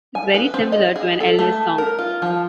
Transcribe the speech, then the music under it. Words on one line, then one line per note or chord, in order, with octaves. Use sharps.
It's very similar to an Elvis song.
G#5
B4
C4
D#5
G#4
A4
A3
A#4
F4
F3